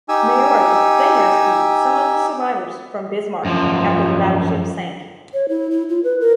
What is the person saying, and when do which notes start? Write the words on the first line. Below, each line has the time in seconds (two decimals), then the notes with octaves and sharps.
"Maori" then rescued some of the survivors from "Bismarck" after the battleship sank.
0.09 D#4 G4 G#5 E6
3.45 F#2 F3
5.34 C#5
5.49 E4
5.71 E4
5.89 F4
6.04 B4
6.21 A#4